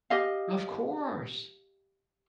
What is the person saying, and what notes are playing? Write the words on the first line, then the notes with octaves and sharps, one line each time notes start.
Of course.
G4 D#5 F5